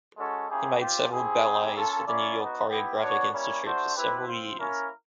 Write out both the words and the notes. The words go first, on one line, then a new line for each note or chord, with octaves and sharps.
He made several ballets for the New York Choreographic Institute for several years.
G#3 C#4 F#4 A4
A#3 C#4 E4 G4 G#4
C4 F4 G4
C4 E4 G4 G#4
G3 C4 D#4 G4
A#3 C#4 F4 A4
A#3 C#4 E4 D5
B3 D#4 F#4
B3 E4 G4
B3 D4 F#4 C#5
G3 A#3 C#4 E4 C#5
A3 D4 F#4 C5
C4 E4 G4 B4
C4 F4 C5
A#3 C#4 E4 A#4